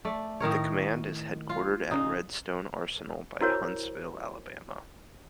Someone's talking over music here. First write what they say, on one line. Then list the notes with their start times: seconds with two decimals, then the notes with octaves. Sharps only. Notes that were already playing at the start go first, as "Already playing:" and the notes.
The command is headquartered at Redstone Arsenal by Huntsville, Alabama.
0.05 A3 D5
0.40 A2 D#3 A#4 C#5
1.49 F4
1.91 C#3 D#4
3.41 E4 F#4 A#4 C5 C#5